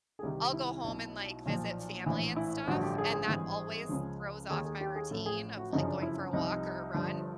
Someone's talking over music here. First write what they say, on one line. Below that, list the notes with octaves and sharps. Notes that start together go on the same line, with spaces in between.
I'll go home and, like, visit family and stuff, and that always throws off my routine of, like, going for a walk or a run,
G#4
C2 C3 D#3 G4
E4
B1 B2
B1 A#2 F3
A#1 A2 E3 E4
E4
A1 G2 D3 F3 F#4
G4
G#4
G#4
G#1 G2 E3
C#2 C#3 F3
D#2 D#3 G#4
G#4
G4
G#4
A1 A2 F3 A4
G#4
F#4
G1 F#2 C#3 F3 D#4
D4
E4
C2 C3 F3 D#4
G1 G2 D3 F3